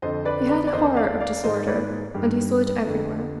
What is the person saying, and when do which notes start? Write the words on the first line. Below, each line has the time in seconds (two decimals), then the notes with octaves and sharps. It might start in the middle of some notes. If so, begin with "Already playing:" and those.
He had a horror of disorder; and he saw it everywhere.
0.02 F2 D3 C5 D#5
0.25 B4 D5
0.49 B4 D5
0.67 D5
0.73 F2 D#3 C5 D#5
0.96 D5 F5
1.20 D5 F5
1.44 G#2 D#3 C5 D#5
1.67 B4 D5
2.14 G2 D#3 G4
2.85 F2 D3